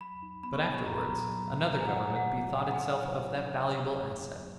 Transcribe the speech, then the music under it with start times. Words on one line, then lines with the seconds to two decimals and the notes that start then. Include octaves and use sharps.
But afterwards another Government bethought itself of that valuable asset.
0.01 F#3 B5
0.23 D#4
0.43 B3 B5
0.53 C#6
0.63 A#2 B5
0.86 A#2 A#5
0.94 B5
1.03 F#3 A#5
1.30 F#3
1.51 A#2
1.72 F#3 A#5
1.80 G#5
1.86 F#5
1.94 F#3 G#5
2.15 B2 F#5
2.37 F#3
2.58 E4 G#5
2.66 F#5
2.75 G#5
2.80 C#4
3.02 E4
3.22 F#3
3.44 D#4
3.65 A#2
3.86 F#3
4.08 A#3
4.30 F#3